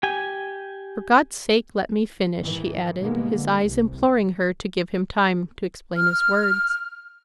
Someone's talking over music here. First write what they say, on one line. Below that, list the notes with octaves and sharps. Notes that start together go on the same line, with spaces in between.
"For God's sake, let me finish!" he added, his eyes imploring her to give him time to explain his words.
G4 G#5
G#2 D#3 E3
B2 D#3 G3 G#3 A#3 B3
D3
C2
F6